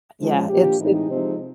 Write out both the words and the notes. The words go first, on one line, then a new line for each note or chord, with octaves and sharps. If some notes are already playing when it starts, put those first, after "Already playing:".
Yeah, it's it
F3 G#3 C#4
A#2 F3 A#3 D4 G4
A2 E3 G#3 C4 D#4
C3 F3 G#3 C4 D#4